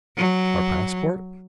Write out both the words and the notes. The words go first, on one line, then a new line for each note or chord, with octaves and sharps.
"Our passport?"
F#3